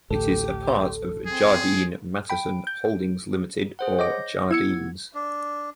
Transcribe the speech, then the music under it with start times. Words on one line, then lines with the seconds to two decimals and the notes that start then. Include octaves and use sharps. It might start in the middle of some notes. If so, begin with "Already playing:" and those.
It is a part of Jardine Matheson Holdings Limited, or Jardine's.
0.11 A1 D2 A2 G4 A4
1.27 C4 G#4
2.30 G5 B5 D7
2.67 G6
3.79 G#4 C5 F#5
3.99 C#5 D#5 D6 G6 A#6
4.51 B3 E4 E6 G#6 C#7
5.14 D4